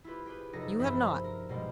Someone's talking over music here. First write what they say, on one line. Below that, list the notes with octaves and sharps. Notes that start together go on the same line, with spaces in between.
You have not.
E4 F4 G4 B4
G4 G#4 B4
F1 D#4 G#4 A4 A#6
G2 F3 A#4 C5 E5 B5
A#4
B2 G3 G#3 A#3 C4